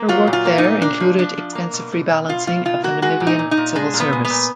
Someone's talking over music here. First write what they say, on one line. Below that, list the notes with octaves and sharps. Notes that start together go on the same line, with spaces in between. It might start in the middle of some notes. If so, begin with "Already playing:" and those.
Her work there included extensive rebalancing of the Namibian civil service.
Already playing: A#3
F#3 F4
A#2
F4
A#3
D#4
A#2
A#3 D4
F3
F3 D4
F3
A#3
B2
B2
B2
B2 F4
B2 F4
B2 F4
A#3 F#4
G#3 F#4
A#2
D#4
A#2
D#4
A#2
G#3 D4
A#2
B3
G#3
B3
A#2